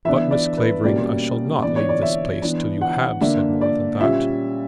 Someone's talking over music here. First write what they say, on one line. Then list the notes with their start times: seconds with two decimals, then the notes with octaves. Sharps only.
But, Miss Clavering, I shall not leave this place till you have said more than that.
0.05 E3 B3 D4 E5
0.31 D5
0.57 B4
0.83 B2 G3 A#3 C#4 D5
1.63 E3 B3 D4 D5
1.76 C#5
1.89 D5
2.02 E5
2.42 E3 B3 D4
2.81 F#5
3.21 D3 A#3 D4 E5
3.61 D5
4.00 A#2 G3 C#4 E5